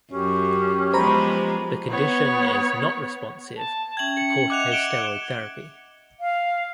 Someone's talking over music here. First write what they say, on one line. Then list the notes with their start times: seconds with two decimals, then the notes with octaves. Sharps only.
The condition is not responsive to corticosteroid therapy.
0.12 F#2 C#4 G4
0.94 F3 G#3 B3 C5 A#5 B5
1.89 B3 C#5
3.57 A5
3.97 C#4 E5 G5 G#6 F#7
4.17 C#7
4.50 D#5 E5 F#5 D6 F#6 F7
4.72 D7 E7 G7
6.20 F5